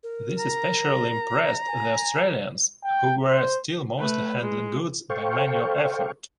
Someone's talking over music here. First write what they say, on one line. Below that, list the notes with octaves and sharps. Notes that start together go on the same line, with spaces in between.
This especially impressed the Australians who were still mostly handling goods by manual effort.
A#4
A#5
G#5
G5
C5
A3 B4
G#3
A4 C5 F5 G5 C#6